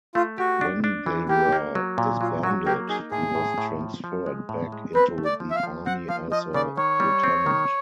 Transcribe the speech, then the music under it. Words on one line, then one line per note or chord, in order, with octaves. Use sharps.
When they were disbanded, he was transferred back into the Army as a lieutenant.
A3 F4
F#4 G4
D4
D4
E3
A#3 G4
A#3
F#3
A#2
F#3 F4
F#3 F#4
A#3 G4
D#4 G#4
A2 G#4
A2
A2
F3
F3
G#3
A2
G#3
C4 B4
A3
D5
F3
E5
F5
F3
C4 F#5
F3 F5
F3 D#5
C#3 D5
D#3 C#5
G3
C4
D#3